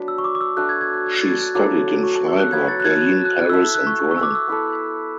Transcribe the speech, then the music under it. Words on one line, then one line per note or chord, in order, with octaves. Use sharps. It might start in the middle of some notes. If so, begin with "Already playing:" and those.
She studied in Freiburg, Berlin, Paris and Rome.
Already playing: F#3 B3 D4
E6
C#6
D6
D6
E6
A3 D4 F#4 F#6
G#6
G#6
F#6
G#6
A6
G#6
F#6
F#3 A3 E4 A4 D6
C#6
A5
E6
F#6
F#3 B3 F#4 G#6
A6
F#6
G#6
F#6
F#6
E4 A4 E5 E6
E6
F#6
C#6
C#6
C#6
E6
D6
E6
B3 E4 A4